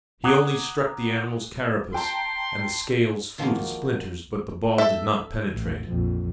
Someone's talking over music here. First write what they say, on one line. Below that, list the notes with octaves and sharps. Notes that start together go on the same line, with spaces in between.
He only struck the animal's carapace, and the scales flew to splinters but the ball did not penetrate.
F#5 A#5 D6 D#6 F#6 G#6
G5 A5 A#5 C6
D#3 F3 F#3 G#3 A#3
A4 E5
A1
A#1 F2